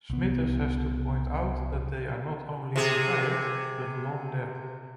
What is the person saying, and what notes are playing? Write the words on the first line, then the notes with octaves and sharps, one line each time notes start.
Smithers has to point out that they are not only retired, but long-dead.
C2 B3
C3 G#4